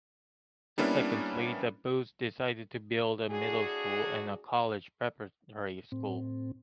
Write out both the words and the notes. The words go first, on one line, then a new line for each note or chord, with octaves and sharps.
Subsequently, the Booths decided to build a middle school and a college preparatory school.
G3 A#3 B3 C#4 D4 E4
A2 D4 F#4 G#4
A2 C4